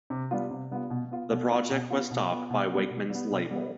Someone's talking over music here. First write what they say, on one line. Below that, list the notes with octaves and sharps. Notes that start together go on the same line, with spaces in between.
The project was stopped by Wakeman's label.
C3
G3 B3 D4 F4
C3
G3 B3 D4 F4
B2
B3 F4
B2
B3 F4
B2
B3 F4
B2
B3 F4
B2
G3 B3
B2
G3 B3
B2
G3 B3